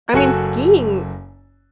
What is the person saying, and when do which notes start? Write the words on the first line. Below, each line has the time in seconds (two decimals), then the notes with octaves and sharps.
I mean, skiing
0.13 F#1 F#4 A4 G#5 F#6 C#7